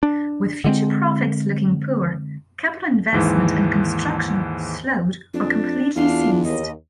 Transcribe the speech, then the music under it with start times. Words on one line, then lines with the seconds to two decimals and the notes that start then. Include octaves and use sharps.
With future profits looking poor, capital investment and construction slowed or completely ceased.
0.03 D4
0.64 D3 G#3 C4
3.12 D#2 G#2 E3
5.34 F2 D4
5.96 E2 D4 F4 F5
6.44 D#2 D#5